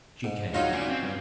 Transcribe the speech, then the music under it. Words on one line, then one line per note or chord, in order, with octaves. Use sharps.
She came.
G#2
F#3 D#4 F4 C#5 E5 F5
C#4 F4 D5
C4
G2